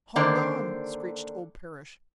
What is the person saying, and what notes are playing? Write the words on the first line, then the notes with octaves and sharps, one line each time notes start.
"Hold on!" screeched old Parrish.
D3 D#3 A#3 D4 C5 G5